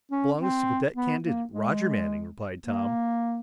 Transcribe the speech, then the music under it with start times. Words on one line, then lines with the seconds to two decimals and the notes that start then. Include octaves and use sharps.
"Belongs to Cadet Candidate Roger Manning," replied Tom.
0.11 C#4
0.40 C4
0.96 B3
1.24 A#3
1.53 G#3
2.65 A#3